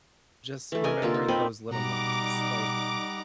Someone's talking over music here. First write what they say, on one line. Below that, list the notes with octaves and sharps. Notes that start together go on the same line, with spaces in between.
just remembering those little moments, like
E3 A3
D4 A#4 D#5 G#5
D3 A#3 F4 A4
D#4
C4 D#5 B5
B2 G3 D#4 F#5 A#5 D6